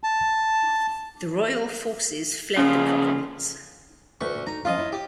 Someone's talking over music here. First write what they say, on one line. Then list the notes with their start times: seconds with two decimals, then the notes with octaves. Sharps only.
The royal forces fled the province.
0.03 A5
2.57 E2 C#3 F3 A#3 C#4 F4 G#4
4.21 D2 B4 C#6
4.35 A#2
4.47 D#4 A#5
4.65 F3 C#4 F4 D#5 F5
4.78 E4 C#5
4.92 G4